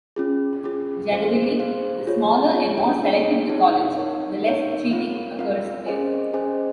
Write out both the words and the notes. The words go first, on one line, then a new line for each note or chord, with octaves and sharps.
Generally, the smaller and more selective the college, the less cheating occurs there.
C#4 F4 G#4
C#4 F4 G#4
G#4 C5 F5
G#4 C5 F5
F4 G#4 C#5
F4 G#4 C#5
C4 D#4 G#4 C#5
C4 D#4 G#4 C#5
D#4 A#4 C#5
D#4 A#4 C#5
C4 F4 A#4 F5
C4 F4 A#4 F5
C#4 G#4 C5 D#5 G#5
C#4 G#4 C5 D#5 G#5